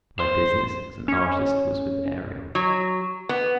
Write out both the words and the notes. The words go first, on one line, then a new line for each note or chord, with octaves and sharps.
My business as an artist was with Ariel.
C5
C#4
F#3
B3